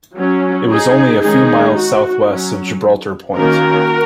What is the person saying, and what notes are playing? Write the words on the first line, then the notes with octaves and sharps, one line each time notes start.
It was only a few miles south-west of Gibraltar Point.
F#3 C#4
D#4 G#4
D#3 G#3 C#4 D#4 G#4
F#4
F#3 C#4
D#3 A#3 C#4 F#4 A#4